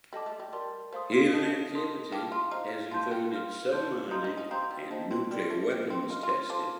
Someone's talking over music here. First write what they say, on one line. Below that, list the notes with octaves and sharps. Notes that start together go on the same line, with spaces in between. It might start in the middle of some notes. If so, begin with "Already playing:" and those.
Human activity has included some mining and nuclear weapons testing.
G3 A4 D#5 A5 D6
A3
G3
G3 A#4 D5 A5 C6
A3 C5 F5 C6 D#6
F4
D#5 A5 D#6 G6
A#4 D#5 A5 C6 D#6
G4 F5 A5 D6 F6
F4
D#4 C5 F5 A#5 F6
F4 F5 A5 C6 G6
G4
F5 C6 F6
D5 A5 C6 G6
F4 D#5 A#5 D#6 G6
D#4
D#4
C4 F5 A#5 D#6 G6
G3
G3 C5 D#5 A5
C4
G3 G4 A#4 D5 G5 C6
A3
A#3 G4 C5 G5
C4
D#4 F5 C6 F6
F4
F4 A4 C5 F5 A5 D6